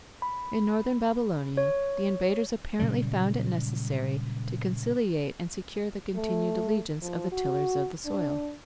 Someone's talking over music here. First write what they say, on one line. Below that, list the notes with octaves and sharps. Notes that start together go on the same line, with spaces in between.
In northern Babylonia the invaders apparently found it necessary to conciliate and secure the continued allegiance of the tillers of the soil.
B5
C#5
A#2 C#3 F#3 G3
A3
F3
F#4
D4